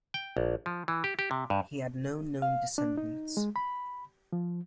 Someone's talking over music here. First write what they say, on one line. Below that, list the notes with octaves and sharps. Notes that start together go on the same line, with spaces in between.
He had no known descendants.
G5
A#1
F3
E3
G4
G4
C3
G2
F5
D4
D#4
G#3
B5
F3